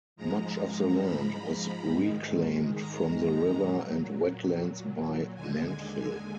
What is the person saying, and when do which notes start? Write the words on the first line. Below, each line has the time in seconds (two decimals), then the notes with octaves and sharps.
Much of the land was reclaimed from the river and wetlands by landfill.
0.16 G#2 F3 G#3 A#5
1.02 B5
1.89 G#2 D#3 G#3
2.75 A#5
3.62 A#2 F#3
5.35 D#2 D3 G#3 G#5
5.63 G#5